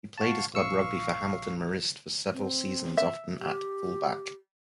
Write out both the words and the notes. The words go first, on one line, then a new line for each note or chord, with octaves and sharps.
He played his club rugby for Hamilton Marist for several seasons, often at fullback.
F5 F#5 A5 C#6
A#1 F5 C#6 E6 C#7
C4
E5
G4